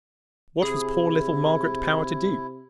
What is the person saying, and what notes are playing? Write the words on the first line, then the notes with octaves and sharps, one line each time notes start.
What was poor little Margaret Power to do?
C3 E4 G#4